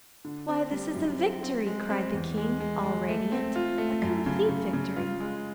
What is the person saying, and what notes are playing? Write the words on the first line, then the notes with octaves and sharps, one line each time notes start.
"Why, this is a victory!" cried the king, all radiant, "a complete victory!"
D3
C4
G3
F#2
C4
C4
G#3
C4
E2
G#3
G#3
G#3
A3
C4
F4
A3
F#2
C#3
C#3
C#3
F4
G#3